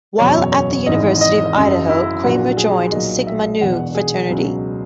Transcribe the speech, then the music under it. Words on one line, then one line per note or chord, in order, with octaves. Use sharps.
While at the University of Idaho, Kramer joined Sigma Nu fraternity.
F#1 E2 B2 F#3 C#5
C#5
G#1 G#2 E3 D#5
D#5
F#1 F#2 C#3 F#3 D#5
E4
A#1 A#2 F#3 F#4
G#4
B1 A#2 F#3 D#5
E5
E1 E2 B2 F#5
G#4
C#2 B2 F#3